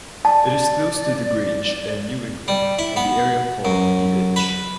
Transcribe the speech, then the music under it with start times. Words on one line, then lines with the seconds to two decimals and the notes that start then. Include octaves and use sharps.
It is close to The Grange and Newington and the area called the Inch.
0.25 D5 A5
2.48 G3
2.79 E4
2.96 B3
3.65 F#2
4.36 B4